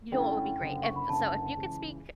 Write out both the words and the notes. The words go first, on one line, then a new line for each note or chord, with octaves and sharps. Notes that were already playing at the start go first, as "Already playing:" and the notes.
you know what would be great? If so if you could speak
F#2 D3 A3 C#4 E4 G5
F#1 F#2 D3
C#6
B5
F#1 F#2 D3 A5
C#2 C#3 E3